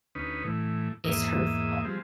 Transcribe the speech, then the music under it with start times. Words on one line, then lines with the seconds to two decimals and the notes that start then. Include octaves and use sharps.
It's her fault.
0.15 D2 C#4 D#4 B4
0.44 A2 E3
1.04 E2 G#2 A#3 D#5 E5
1.85 F3 G3 G#3 C4